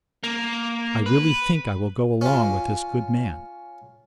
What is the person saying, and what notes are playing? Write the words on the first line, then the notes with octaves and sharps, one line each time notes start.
I really think I will go along with this good man.
A#3
B4
C#4 F4